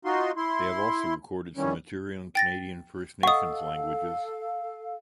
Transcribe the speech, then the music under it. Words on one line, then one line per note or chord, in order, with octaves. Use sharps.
They have also recorded some material in Canadian First Nations languages.
D#4 F4 F#4 C6
E4 C6
D#3 E3 G3 C#4
G5 A6 A#6
A4 D#5 F5 F#5 C#6 D#6